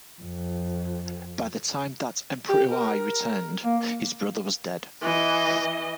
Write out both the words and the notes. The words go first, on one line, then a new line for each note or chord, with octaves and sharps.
By the time that Emperor Hui returned, his brother was dead.
F2
G4
A#4
A#3
E3 D#5